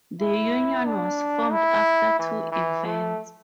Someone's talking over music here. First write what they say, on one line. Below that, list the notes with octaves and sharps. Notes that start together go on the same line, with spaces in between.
The union was formed after two events.
E4
D4
E4
E3
E3
A3